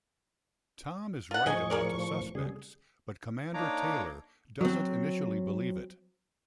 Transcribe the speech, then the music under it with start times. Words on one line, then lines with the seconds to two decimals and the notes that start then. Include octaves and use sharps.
Tom is right about the suspects, but Commander Taylor doesn't initially believe it.
1.31 F4 F#5
1.46 A2 F3 G#4 D#5 G#5 C#6
1.70 G#4 A#4 D5
2.35 C#3 G3 G#4
3.54 A#3 D4 D#4 C#5 A#5 D6
4.61 F#3 C4